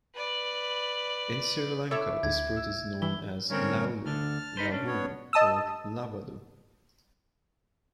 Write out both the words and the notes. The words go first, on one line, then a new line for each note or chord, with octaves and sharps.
In Sri Lanka this fruit is known as "Laulu", "Lavulu" or "Lawalu".
B4 D5
E4 A4 C#5 E5 D6 D7
D2 G#6
E6
E3 E4 G7
G2 D3 C4 C#4 A#4 C#5
D2 D3 A5 F6
D#4 B4 C5
C#4 D4
B3 C#5
D#5 A5 D#6 E6